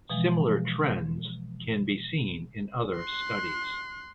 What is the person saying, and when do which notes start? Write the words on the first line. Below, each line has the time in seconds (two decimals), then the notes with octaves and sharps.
Similar trends can be seen in other studies.
0.10 B2 E3 F3 G#3
2.99 C6 F#6